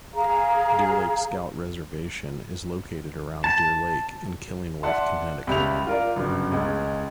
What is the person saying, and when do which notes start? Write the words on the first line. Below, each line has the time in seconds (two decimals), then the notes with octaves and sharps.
Deer Lake Scout Reservation is located around Deer Lake in Killingworth, Connecticut.
0.14 G#4 F5 A#5
3.44 A5
4.83 D5 E5 F#5 A5 C6
5.47 C#2 G3 E5 B5 G6 F7
5.87 F4 A#4 D5
6.16 G1 F#2 C#3
6.52 C#2 G#3